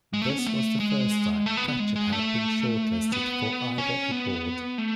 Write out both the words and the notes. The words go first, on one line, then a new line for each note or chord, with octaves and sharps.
This was the first time Pratchett had been shortlisted for either award.
G#3
A3
C#4
B3
A3
G#3
A3
B3
B3
G#3
G#3
A3
B3
C#4
B3
A3